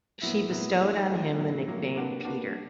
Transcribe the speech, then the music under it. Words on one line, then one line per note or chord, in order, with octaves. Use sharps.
She bestowed on him the nickname Peter.
A#2 F#3 B3 E4
A#2 F#3 B3 E4
F3 A3 C4 D#4 G#4
F3 A3 C4 D#4 G#4
A2 F#3 A#3
A2 F#3 A#3
A#3 D4 F#4 B4
A#3 D4 F#4 B4